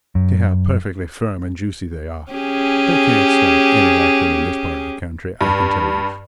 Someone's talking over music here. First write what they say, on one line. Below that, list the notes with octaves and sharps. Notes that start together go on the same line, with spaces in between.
See how perfectly firm and juicy they are--they can't start any like them in this part of the country, I can tell you.
F#2
C#4 G4 G#4
G2